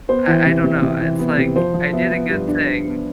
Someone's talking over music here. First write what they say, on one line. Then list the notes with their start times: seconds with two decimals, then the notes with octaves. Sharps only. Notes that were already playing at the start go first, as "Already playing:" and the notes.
I I don't know, it's, like, I did a good thing.
0.09 B3 C5
0.27 E3
0.46 C3
0.64 C3
0.82 C3
1.00 E3
1.19 B3
1.38 C3
1.56 F3 C5
1.74 F3
1.92 B3 E5
2.11 B3
2.29 G2
2.48 D4
2.66 D4
2.85 B3